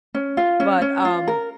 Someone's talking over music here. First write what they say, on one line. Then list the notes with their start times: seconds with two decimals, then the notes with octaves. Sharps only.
but, um,
0.14 C#4
0.37 F4
0.60 C#4
0.82 C#4
1.05 F4
1.28 A#4